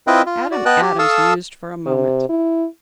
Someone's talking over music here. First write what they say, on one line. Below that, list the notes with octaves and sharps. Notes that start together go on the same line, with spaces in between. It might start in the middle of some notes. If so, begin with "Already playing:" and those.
Adam Adams mused for a moment.
C4 E4 F4 B4 D#5 G5
F4
F#4 D5
B3 B4 D#5 G5 A5 F#6
G4
A4 F5 A5 C#6 D#6 E6
C3
E4